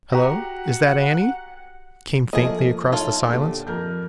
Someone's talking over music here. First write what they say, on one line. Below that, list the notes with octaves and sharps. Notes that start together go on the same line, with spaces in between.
'Hello, is that Annie?' came faintly across the silence.
F#4 G4 F#5 A#5
F3 A3 A#3 G#4 D#5
B1 F4 A4 C#5
A#2 D3 G4
F2 A#4 G6